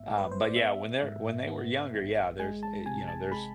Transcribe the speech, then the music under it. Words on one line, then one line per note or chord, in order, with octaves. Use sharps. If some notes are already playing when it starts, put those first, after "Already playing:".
uh but yeah, when they're when they were younger, yeah, there's, eh you know, there's
Already playing: G#1 G#2 B3 E5
G#2
B4
C5
D5
B3 E5
G#2
B3
G#1
G#3 G#5
A5
C3 G#5
A5
G#3 B5